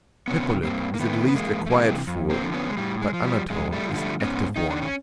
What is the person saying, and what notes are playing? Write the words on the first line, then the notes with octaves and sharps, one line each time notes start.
Hippolyte is at least a quiet fool, but Anatole is an active one.
C3 D#3 B3 C#4
G2 A#3 C4
A#3
D#3 A3 B3
B3
E2 G#3 A#3
A3
C3 E3 G#3 A#3
F2
A#3 C4
D3 F3
B3 C#4
G#3
A2 G3
G#3
F3
G3
F2 G#3
G3 A3
D3 F3
G3 A3
G#2 B3 C#4
D#3 D#4
D4
C#4